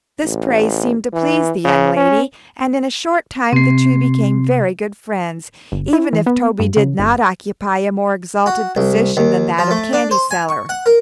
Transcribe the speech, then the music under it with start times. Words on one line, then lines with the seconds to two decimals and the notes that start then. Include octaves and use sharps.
This praise seemed to please the young lady, and in a short time the two became very good friends, even if Toby did not occupy a more exalted position than that of candy-seller.
0.24 A1
1.13 E3
1.64 C#3
1.97 C#4
3.53 C3 C4 C7
5.72 G1
5.93 E4
6.13 E3
6.26 B3
6.60 G2
6.77 C#3
6.99 G1
8.46 F#4
8.76 C2
9.17 D#2
9.59 F3
9.71 A3
9.93 D4
10.11 C5
10.31 G#5
10.49 C#6
10.69 F#5
10.86 A#4